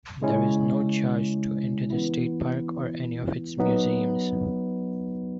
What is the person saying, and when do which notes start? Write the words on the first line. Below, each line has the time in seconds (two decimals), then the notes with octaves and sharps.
There is no charge to enter the state park or any of its museums.
0.22 C#3 G#3 C#4 E4
1.90 E3 B3 E4
3.58 F#3 B3 D#4